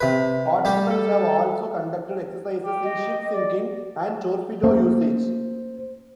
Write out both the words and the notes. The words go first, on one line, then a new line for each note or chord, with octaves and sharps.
Participants have also conducted exercises in ship-sinking and torpedo usage.
C3 B4
G3 G4
A4
G4
D#5
D5
A3 A#3 C#4 C5